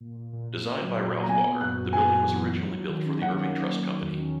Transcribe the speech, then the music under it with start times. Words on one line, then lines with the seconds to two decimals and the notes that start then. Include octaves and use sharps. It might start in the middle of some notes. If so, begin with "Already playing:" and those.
Designed by Ralph Walker, the building was originally built for the Irving Trust Company.
0.01 A#2
0.17 A#2
0.33 A#2
0.49 A#2
0.65 A#3
0.81 F#3
0.97 F#3
1.13 A#2
1.22 A#5
1.29 B3 G#5
1.45 F#4
1.61 F#2 F#6
1.77 F#4
1.93 B3 G#5
2.09 F#2
2.25 E3
2.41 F#2
2.57 F#3
2.73 F#3
2.89 D#3
3.06 C#4
3.21 A#3 F#5
3.38 D#3
3.53 D#3
3.69 D#3
3.86 F#3
4.02 E2
4.17 C#4